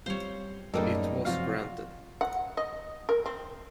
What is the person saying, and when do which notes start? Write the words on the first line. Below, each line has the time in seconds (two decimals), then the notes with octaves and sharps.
It was granted.
0.06 G3 C4 F4 C5 C#5
0.74 F#2 A2 C#3 G3 G#3 A#3 D#4 A4
1.25 C3 F3 C4 F4 F#4 F5
2.21 F#5
2.57 D#5
3.09 A#4
3.26 C4